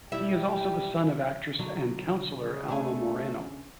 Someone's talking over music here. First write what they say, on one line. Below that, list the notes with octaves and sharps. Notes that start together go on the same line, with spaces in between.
He is also the son of actress and councilor Alma Moreno.
B1 G3 E4 G4 E5
B2 D3 F#3
C#3
C#3 A3 D4 G#4